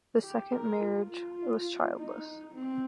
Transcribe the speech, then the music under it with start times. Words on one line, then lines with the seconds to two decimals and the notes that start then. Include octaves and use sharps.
The second marriage was childless.
0.23 G4
0.52 A#4
0.81 F4
1.10 F4
1.97 D#4
2.55 C4